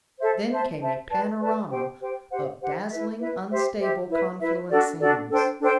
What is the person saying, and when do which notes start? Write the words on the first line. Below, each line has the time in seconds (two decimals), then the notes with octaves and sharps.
Then came a panorama of dazzling unstable confluent scenes....
0.20 A4 C5 E5
0.50 C5 E5 A5
0.80 C5 E5 A5
1.10 B4 D5 A5
1.40 B4 D5 A5
1.70 G4 C5 G5
1.99 G4 C5 G5
2.30 G4 C5 F#5
2.60 G4 C5 F#5
2.90 E4 B4 E5
3.20 E4 B4 E5
3.50 G4 C5 E5
3.79 G4 C5 E5
4.09 E4 B4 E5
4.40 E4 B4 E5
4.70 D4 F#4 A4 D5
5.00 D4 F#4 A4 D5
5.30 D4 A4 C5 G5
5.59 D4 A4 C5 G5